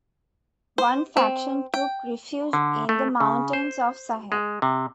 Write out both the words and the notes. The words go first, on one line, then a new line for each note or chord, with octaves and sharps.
One faction took refuge in the mountains of Sahel.
C5
C4
G5
D3
A3
C#3
C5
G#3
C3